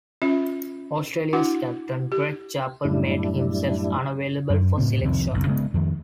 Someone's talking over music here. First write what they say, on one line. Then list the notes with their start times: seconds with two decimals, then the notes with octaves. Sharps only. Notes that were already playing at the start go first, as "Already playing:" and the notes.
Australia's captain Greg Chappell made himself unavailable for selection.
0.22 C#4 F4 E5
1.33 D4 E4 F#4 F#5
2.12 G4
2.85 F#2 A2 G3 D4 E4
4.50 F#2
4.78 A2 C#3 C4
5.04 C2 F2 D#3 C4
5.33 F#1 B1
5.47 C#3 G#3 B3
5.74 F2 D#3